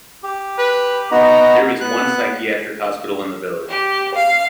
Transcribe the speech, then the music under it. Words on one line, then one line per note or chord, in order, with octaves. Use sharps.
There is one psychiatric hospital in the village.
G4
B4
B3 D#4 F#4 A#5
B3 F#6
G4
F5